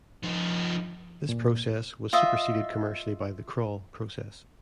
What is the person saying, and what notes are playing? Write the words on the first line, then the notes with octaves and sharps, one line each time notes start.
This process was superseded commercially by the Kroll process.
F3 D#4
A#2
F4 D#5 E5